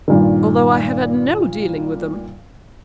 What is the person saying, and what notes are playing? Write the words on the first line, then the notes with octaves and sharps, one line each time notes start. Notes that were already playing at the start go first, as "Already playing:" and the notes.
Although I have had no dealing with them.
G2 A#2 D#3